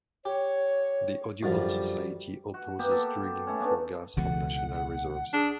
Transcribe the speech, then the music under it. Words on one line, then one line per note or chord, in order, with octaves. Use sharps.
The Audubon society opposes drilling for gas on national reserves.
G4 C#5
F#2 D3 F3 G3
F#4
A#3 B3 G4
A4
G4
A3 C#4
A#3 B3 D4
C#2 B2 D3 E3 F#5
D4 G#4